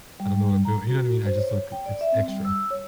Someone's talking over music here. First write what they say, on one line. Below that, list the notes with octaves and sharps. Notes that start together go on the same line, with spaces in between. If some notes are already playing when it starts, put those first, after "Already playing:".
I don't know what I'm doing, you know what I mean? I just look it's extra.
G3
A#5
F#4
C5
C#5
G5
D5
E5
C4
G3
E6
C#5